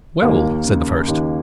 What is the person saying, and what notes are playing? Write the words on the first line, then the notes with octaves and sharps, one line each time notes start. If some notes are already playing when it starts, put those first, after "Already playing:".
"Well!" said the first.
D#2 A#3
C#3
D#2